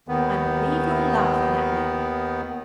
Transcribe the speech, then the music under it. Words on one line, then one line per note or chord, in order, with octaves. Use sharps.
I believe you're laughing at me!
D#2 D#3 B3